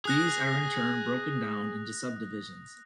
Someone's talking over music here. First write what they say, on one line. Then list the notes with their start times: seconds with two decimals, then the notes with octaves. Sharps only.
These are in turn broken down into subdivisions.
0.05 G#4 D#6 F#6 A#6